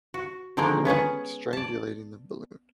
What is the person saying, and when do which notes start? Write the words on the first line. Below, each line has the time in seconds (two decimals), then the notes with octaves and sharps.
you're not strangulating the balloon,
0.14 F#4
0.57 D3 D#3 F3 G#3 A#3 D4
0.85 B3 C#4 G#4 F#5
1.53 D5 A5